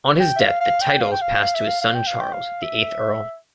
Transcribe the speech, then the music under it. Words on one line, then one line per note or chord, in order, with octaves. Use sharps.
On his death the titles passed to his son Charles, the eighth Earl.
G5
E5
F5
F5
G5
F5
G5
F5
F5
E5
F5
F5
G5
F5
G5
F5
E5